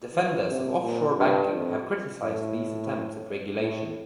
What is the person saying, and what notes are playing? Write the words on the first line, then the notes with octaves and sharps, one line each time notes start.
Defenders of offshore banking have criticized these attempts at regulation.
E3
C3
A#2
G2
F2
A2
A2